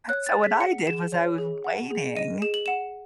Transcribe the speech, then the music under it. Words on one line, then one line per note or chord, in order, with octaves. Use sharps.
So what I did was, I was waiting;
C#5 F#6
A6
G#4
B6
F#5 C#7
G#4 E7
C#5
G#4
F#5
G#4
D#5 D#7
G#4 E7
F#7
F#5 E7